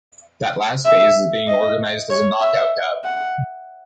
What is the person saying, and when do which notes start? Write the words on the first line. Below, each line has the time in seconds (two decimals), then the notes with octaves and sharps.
That last phase is being organized as a knockout cup.
0.86 E5
1.48 D#5
2.10 C#5
2.41 E5
3.04 F#5